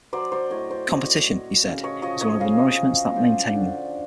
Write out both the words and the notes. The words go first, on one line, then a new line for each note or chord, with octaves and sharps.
Competition, he said, is one of the nourishments that maintain them.
F#3 C5 D5
C5 D5
A2 C#5 D#5
C5 D5
F#3 C#5 D#5
A2
C#3
C#5 D#5
F3 C#5 D#5
C#5 D#5
C#3 D#5 F5
C#3
D3 C5 D5
D3